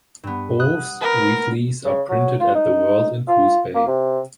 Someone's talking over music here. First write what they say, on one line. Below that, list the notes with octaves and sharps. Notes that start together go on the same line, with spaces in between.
Both weeklies are printed at "The World" in Coos Bay.
G2 B3
D#6 F#6
A#4 B4
C#3
F#3
F4
D#4
F4
A#3
C3